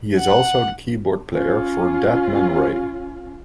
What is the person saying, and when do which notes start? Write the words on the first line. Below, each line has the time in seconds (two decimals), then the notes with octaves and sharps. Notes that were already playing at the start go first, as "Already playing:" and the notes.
He is also the keyboard player for Dead Man Ray.
0.18 F#5
1.32 C#4 F4